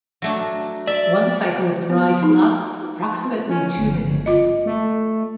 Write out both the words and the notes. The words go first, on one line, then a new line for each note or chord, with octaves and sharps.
One cycle of the ride lasts approximately two minutes.
F#3 A3 D4
D5 E5
B3
D#4
C#4
G1
F4 D#5
A3